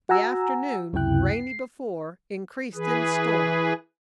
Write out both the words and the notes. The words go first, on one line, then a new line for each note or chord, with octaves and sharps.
The afternoon, rainy before, increased in storm.
F#4 F#5 G#5 A#5 E6
C#2 F#2 C3 E4 G5 F#6
C7
E3 G#4 B4